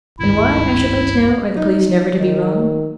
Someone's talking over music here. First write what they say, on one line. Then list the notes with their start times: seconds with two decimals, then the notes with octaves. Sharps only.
And why, I should like to know, are the police never to be wrong?
0.19 G#1 C#2 G2 E4
1.57 D#4
2.18 D#3 G#3 D#4